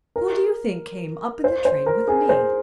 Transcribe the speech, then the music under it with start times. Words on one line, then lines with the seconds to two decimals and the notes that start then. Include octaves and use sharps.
Who do you think came up in the train with me?'
0.16 A#4
1.44 C5
1.65 C5
1.86 A#4
2.08 G#4
2.29 C5